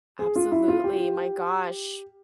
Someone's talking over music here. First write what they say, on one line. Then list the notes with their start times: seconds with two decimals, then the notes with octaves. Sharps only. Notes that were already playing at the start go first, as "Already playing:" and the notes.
Absolutely, my gosh.
0.19 G#4
0.36 F4
0.52 E4
0.68 F4
0.84 G4